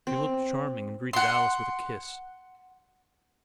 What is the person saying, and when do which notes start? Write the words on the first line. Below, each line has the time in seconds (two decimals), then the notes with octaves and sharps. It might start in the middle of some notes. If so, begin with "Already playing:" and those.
She looked charming, and greeted Alice with a kiss.
0.07 C4
1.13 F#5 C6